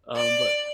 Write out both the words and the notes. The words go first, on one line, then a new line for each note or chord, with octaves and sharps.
um, but
D5